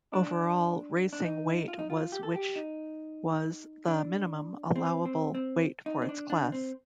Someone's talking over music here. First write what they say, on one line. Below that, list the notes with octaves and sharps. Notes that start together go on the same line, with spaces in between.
Overall racing weight was which was the minimum allowable weight for its class.
D4
D4
D#4
F4
D#4
F4
G4
A4
G4
D#4
D4
C4
C4
C4
D#4
C4
D4
D4
C4